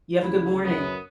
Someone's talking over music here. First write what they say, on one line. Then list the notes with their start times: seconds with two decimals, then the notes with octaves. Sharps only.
You have a good morning.
0.22 D2 C#3 E4
0.64 F#2 B3 D#6